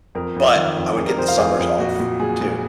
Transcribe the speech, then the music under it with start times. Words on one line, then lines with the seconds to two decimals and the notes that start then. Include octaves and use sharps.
but I would get the summers off, too.
0.15 F2 A#4
0.36 F2
0.56 D#3
0.76 F2
0.97 F2 G#4
1.07 A#4
1.18 F2 C5
1.28 F5
1.38 F2 G#4
1.59 F2
1.79 A#2 F#4
2.00 A#2
2.20 A#2 G#4
2.41 A#2